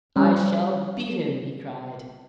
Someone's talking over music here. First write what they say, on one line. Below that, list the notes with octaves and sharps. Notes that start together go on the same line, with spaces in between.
"I shall beat him!" he cried.
G3 C#4